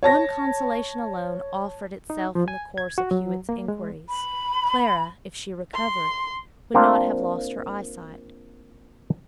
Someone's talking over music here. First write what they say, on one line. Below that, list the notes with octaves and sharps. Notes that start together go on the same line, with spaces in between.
One consolation alone offered itself in the course of Hewett's inquiries; Clara, if she recovered, would not have lost her eyesight.
C#5 A5 A#6
D#4
F3
G#5
G#6
F#4
F#3
A#3
G#3
B5
C6
A#3 C4 D4 F4